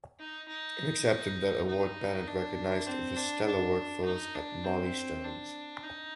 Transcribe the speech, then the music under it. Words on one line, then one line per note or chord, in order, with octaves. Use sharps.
In accepting that award Bennett recognized the stellar workforce at Mollie Stone’s.
D#4
D#4
D#4
D4
C4
D4
D4
D#4
D4
C4
D4
D#4